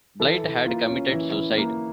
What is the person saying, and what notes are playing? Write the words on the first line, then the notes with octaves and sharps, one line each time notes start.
Blight had committed suicide.
E3 A4
E3
A#3 F4
C#4
E3 E4
E3
A#3